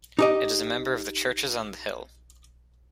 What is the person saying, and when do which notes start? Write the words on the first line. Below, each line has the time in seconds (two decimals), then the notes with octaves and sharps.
It is a member of the Churches on the Hill.
0.19 D#4 G4 D#5